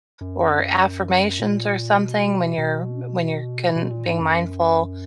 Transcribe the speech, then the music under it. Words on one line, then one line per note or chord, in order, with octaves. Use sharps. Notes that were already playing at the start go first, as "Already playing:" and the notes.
or affirmations or something when you're when you're con being mindful,
F#2
A#2
B2
B2
B2
A#2
G#2
F#2